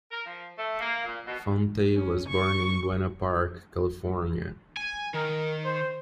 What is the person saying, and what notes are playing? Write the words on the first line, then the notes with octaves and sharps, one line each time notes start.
Fonte was born in Buena Park, California.
A#4
F3
A3
A#3
A#2
B2
C#4
C#6
G#5
D#3 A#4
C5